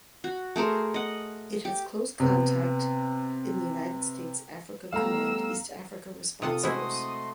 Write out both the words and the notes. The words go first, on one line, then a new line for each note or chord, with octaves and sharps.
It has close contact in the United States Africa Command East Africa Response Force.
F#4
A3 G#4 A#4 C5
D#5 F#5
G4
C3 B3
G3 A3 B3 F5 A#5 E6
C3 F4 A4 F#5 A5 D#6
G#3 A3 C4 E4 F#4 D#5 C6